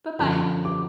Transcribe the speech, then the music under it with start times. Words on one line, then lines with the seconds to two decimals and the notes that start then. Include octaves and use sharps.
Bye bye.
0.19 F#2 D3 F3 B5
0.65 D6